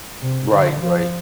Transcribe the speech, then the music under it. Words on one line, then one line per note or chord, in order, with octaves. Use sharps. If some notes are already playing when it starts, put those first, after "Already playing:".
Right, right.
C3
D3
F3